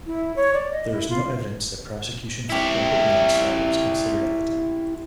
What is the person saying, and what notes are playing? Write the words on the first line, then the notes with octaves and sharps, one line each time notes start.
There is no evidence that prosecution for corporate manslaughter was considered at the time.
E4
C#5
D5
D#5
E4
F4
E4 G4